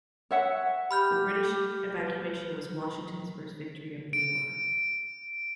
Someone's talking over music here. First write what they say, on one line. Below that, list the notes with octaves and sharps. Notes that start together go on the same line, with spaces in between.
The British evacuation was Washington's first victory of the war.
C#5 E5 F#5
G4 B5 F6 G6
B4
D7